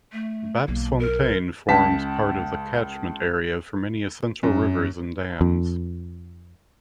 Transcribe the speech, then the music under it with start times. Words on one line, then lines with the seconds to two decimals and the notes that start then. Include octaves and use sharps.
Bapsfontein forms part of the catchment area for many essential rivers and dams.
0.13 A3
0.68 B1 D3 A#3
0.99 A#4
1.69 C#2 A5 B6
4.43 F#2
5.41 F2